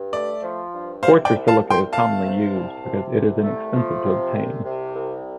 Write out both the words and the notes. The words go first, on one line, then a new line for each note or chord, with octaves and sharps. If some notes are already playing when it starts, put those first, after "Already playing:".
Quartz or silica is commonly used because it is inexpensive to obtain.
Already playing: G2
A3 D5
F3
G2
C3 C5 F5
D5 G5
C2
F5 A5
C2
G5 C6
A3 F5 A5
C3
C2
C3
C2
A3
F3
C3
C2
C3
C2